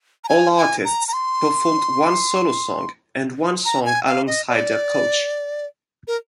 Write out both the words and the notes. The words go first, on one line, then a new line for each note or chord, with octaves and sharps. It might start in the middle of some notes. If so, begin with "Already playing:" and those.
All artists performed one solo song and one song alongside their coach.
A#5
G#5
G#5
A#5
A#5
C6
A#5
G#5
F5
D#5
D5
A#4